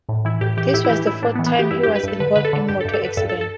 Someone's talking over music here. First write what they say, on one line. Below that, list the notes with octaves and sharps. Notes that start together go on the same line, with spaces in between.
This was the fourth time he was involved in motor accident.
A2
E3 E4
A2 G4
E3 G4
G4
A2 E4
E4
E3 G4
A2 E4
A2 D4
B3
E3
B3
E3 G4
G2 E4
G4
G2
B4
G2 A4
D3 B4
D3 B4
A4
D3
G2 G4
A4
G2 G4
A4
D3 B4
G2 A4
A4
A4